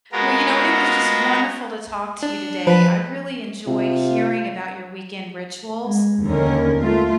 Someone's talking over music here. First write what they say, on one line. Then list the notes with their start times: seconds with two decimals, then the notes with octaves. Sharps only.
Well, you know, it was just wonderful to talk to you today, I really enjoyed hearing about your weekend rituals,
0.13 G#3 B3 F4 F#4 A#4
2.23 D4
2.67 F3 B4 B5
3.67 C3 F4
5.85 G#3
6.24 D#2 D3 C#4 A#4
6.82 A3 F4